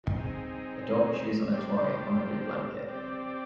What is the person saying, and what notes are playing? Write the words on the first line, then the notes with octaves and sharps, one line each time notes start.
A dog chews on a toy on a blue blanket.
C4 D#4 G#4
A#2 G3 D4 G4 C5
C4 G4 D5